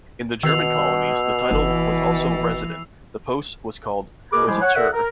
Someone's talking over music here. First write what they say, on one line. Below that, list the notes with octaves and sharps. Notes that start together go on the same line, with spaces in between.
In the German colonies, the title was also Resident; the post was called "Residentur".
B2 D#3 E6 C7 F7
F#1 E3
B2 A#3 G#4 A#4 B4 D6
F3 G3 G#3 E4 G4 G#4
C#5 F#5
A4 A#4 D5 E5 F#5
A#4